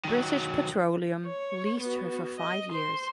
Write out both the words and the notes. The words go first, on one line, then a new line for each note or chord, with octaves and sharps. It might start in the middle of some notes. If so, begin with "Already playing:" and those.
British Petroleum leased her for five years.
D#3 F#3
C#5
B3 F#4
D#5
C5 C6